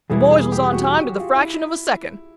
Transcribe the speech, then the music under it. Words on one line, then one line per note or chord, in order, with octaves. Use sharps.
The boys was on time to the fraction of a second.
E2 B2 G3 B3 E4 G#4
G#4
G4
F#4
F4
E4